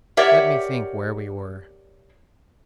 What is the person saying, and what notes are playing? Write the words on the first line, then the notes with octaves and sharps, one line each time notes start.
LET me think where we were.
G4 A#4 C#5 D5 E5 F#5